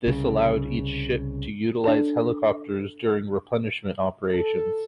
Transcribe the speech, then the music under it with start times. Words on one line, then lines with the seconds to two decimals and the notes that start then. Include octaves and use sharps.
This allowed each ship to utilize helicopters during replenishment operations.
0.06 C2 C#3
1.84 D4 A4
4.34 A4